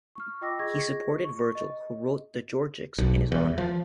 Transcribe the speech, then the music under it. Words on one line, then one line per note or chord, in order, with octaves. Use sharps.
He supported Virgil who wrote the "Georgics" in his honour.
C#6 F6
F4 D#5 G5 D6 E6 A#6
F4 G#4 D#5 C#6 G#6 A#6
C#6
D#5
B1
E2
F3